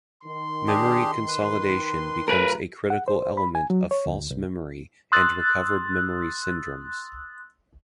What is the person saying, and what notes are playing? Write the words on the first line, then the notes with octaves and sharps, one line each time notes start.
Memory consolidation becomes a critical element of false memory and recovered memory syndromes.
D#3 C6
D4 G4 G#4
B4
F#3 A3 F4 A#4 B4
F#5
C5
B5
G#5
F#3
C#5
D2
C2
C6 D#6 E6 F#6 A6